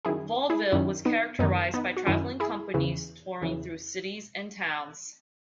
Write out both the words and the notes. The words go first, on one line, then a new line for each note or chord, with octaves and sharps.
Vaudeville was characterized by traveling companies touring through cities and towns.
F#2 D#3 E4 G#4
E4 G#4
F#2 D#3 C#4 E4
B3 D#4
F#2 D#3 B3 D#4
B3 D#4
F#4
F#2 D#3 C#4 E4
E4 G#4
E2 C#3 E3
E2 C#3 E3